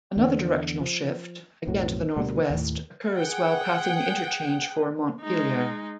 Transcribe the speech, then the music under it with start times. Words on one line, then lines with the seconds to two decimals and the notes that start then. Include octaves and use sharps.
Another directional shift, again to the northwest, occurs while passing the interchange for Montpelier.
0.17 E2 D3
0.80 F3
1.67 B1 F2 A2 F#3
2.16 D2 B2 G3 A#3
2.50 D#2 A2
3.15 G#4 F#5 G5
5.22 G#3 D#4